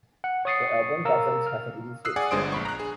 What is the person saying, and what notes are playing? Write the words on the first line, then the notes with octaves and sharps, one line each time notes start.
The album doesn’t have a release date yet.
F#5
C#5 C#6 D#6 A6 C7 C#7
A#4 F5 A#5 E6
F6
D#6 E6 F#6 C7
G#4 D5 F#5 G#5 D#6
G1 G#3 D4 C5 D#6 D7
A#1 B5 C#6
A#5 F#6
G#4